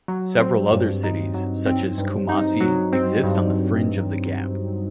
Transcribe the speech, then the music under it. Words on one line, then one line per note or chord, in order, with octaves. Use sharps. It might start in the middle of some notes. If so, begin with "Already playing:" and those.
Several other cities, such as Kumasi, exist on the fringe of the Gap.
F#3
C4
G2
D#4
F#3
C4
G2
D#4
F#3
C4
G2